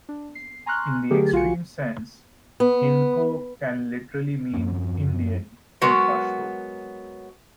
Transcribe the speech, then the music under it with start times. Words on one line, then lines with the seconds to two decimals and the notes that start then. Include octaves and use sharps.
In the extreme sense, Hindko can literally mean "Indian" in Pashto.
0.09 D4
0.35 C7
0.66 G#5 A#5 C6 C#6 F6 F#6
1.10 D3 F#3 A3 G4 G#4 A#4
1.32 B1 F4 F#4 F5 G#5 C#7
2.60 B3
4.53 F#2 F3 C4 C#4
5.81 F#3 G#3 B3 F#4 A#4